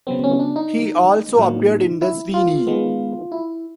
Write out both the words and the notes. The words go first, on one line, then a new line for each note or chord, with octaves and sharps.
He also appeared in "The Sweeney".
C#3 F#3 B3 C4
C#4
D4
D#4
A2 F#3 A#3
E4
F4
D#3 G#3 B3
E4